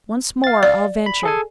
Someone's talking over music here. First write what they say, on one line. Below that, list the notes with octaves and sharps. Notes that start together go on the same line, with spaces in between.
Once more I'll venture.
F5 A6
D5
B5
G#4 A4 G#5